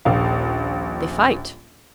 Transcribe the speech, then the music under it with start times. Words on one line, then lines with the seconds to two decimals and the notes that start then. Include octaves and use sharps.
They fight.
0.05 D#1 A#1 F5